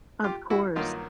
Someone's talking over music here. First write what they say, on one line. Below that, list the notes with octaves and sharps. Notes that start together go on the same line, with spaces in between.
Of course.
F4 G4
E4 F#4
G2 D#3 F#3 A#3 D#4 F4